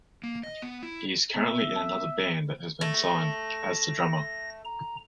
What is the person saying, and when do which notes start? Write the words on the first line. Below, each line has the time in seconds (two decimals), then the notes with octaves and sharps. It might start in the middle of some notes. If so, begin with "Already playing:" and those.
He is currently in another band that has been signed, as the drummer.
0.24 A#3
0.43 D#5
0.62 B3
0.83 E4
1.34 B3 E5
1.76 A5
2.81 A3 A#6
4.65 A#5